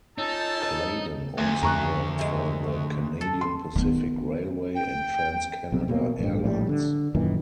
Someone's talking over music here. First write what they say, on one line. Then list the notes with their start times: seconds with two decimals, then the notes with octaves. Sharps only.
Claydon also worked for the Canadian Pacific Railway and Trans-Canada Airlines.
0.18 C#4 D#4 F4 A4 A5
1.38 D2 A3
1.63 F2 A#5 C#6 F#6
2.19 C3 G#3
3.21 A4
3.41 C6
3.75 D#3 B3
4.75 G5
5.72 B1 C3
5.89 B2 A#3
6.19 A1 G2
6.44 A#1 A2 G3
6.69 D3
7.15 F#2 A#2 D#3 E3